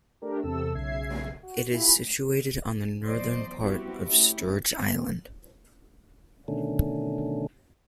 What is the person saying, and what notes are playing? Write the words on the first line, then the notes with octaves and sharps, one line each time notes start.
It is situated on the northern part of Sturge Island.
A3 D4 G4 A#4
E2 C3 A4 E6
B1 C#3 E5 G#6 C7
F#4
E4 F4 G4 G#5 B5
E2 F#3 C5 D5 D#5
G3 B3 C4 E4 F#4 G4
A3 C#4 E4 G4
B2 D3 D#3 A3 C#4 D4